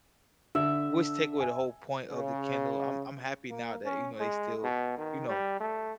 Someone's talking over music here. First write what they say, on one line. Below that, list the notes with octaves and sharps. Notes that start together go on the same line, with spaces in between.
which take away the whole point of the Kindle; I'm I'm happy now that, you know, they still, you know,
D3 E5
G#5
C#3
A#3
C#4
G#3
B2
D#3
G3
A3